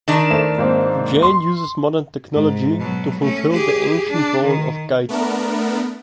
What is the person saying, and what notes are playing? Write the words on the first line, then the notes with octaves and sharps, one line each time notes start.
Jane uses modern technology to fulfill the ancient role of guide.
D#3 D4
A3 C5 E7
G#2 A#3 C4
C6
G#2
B2 F#3
A3 C#4
G4 G#4
D4
D#3
A3 B3 D4 A#4